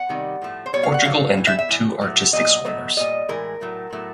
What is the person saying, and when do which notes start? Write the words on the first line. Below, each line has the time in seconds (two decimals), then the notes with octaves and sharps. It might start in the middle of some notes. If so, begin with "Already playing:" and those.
Portugal entered two artistic swimmers.
Already playing: F#5
0.09 C3 D#3 G3
0.42 A2 F3 A3
0.66 C5
0.73 B2 G3 C#5
0.83 F5
0.94 F#5
1.05 D3 F#3 A3 F5
1.37 A2 E3
1.47 E5
1.59 E5
1.69 A2 E3
2.01 A2 F#3 A3
2.33 A#2 F#3 D#5
2.64 B2 F#3 A3
2.97 A#2 G3 D#5
3.29 A2 E3 G#3 A#4
3.61 A2 F#3 A3
3.92 A2 F#3 A3